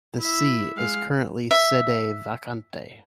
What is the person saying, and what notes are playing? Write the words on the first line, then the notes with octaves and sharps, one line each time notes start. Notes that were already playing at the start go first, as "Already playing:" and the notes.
The see is currently sede vacante.
E4 E5
G#3 F5
E5